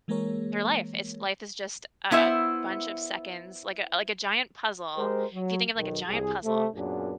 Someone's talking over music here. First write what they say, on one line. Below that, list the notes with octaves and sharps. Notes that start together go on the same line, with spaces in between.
They're life, it's life is just a a bunch of seconds like, a like, a giant puzzle. If you think of, like, a giant puzzle
E3 G#3 A#3 G#4 A#4 C#5
B3 E4 C5 E5
G#3 G4 A#4 C5
F#3
B1 D#3
C2 G#4
C3 A3
F#2 A#2 F#3 B3 D4 G#4